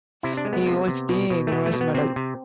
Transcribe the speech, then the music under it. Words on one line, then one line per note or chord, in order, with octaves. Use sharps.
He holds the Gunnerus Medal.
C3 E4
D4
G#3
B3
C3
C3
B2
B2
A3
B2 B3
A3
B2
B3
C3 C4
C3